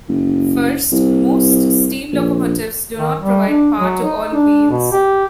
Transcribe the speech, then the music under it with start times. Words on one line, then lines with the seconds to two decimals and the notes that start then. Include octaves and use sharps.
First, most steam locomotives do not provide power to all wheels.
0.08 F#1
0.92 C2
2.12 A#1
2.97 D#3
3.19 G3
3.49 D4
3.80 F#3
4.03 D#4
4.34 D4
4.70 B2
4.93 G4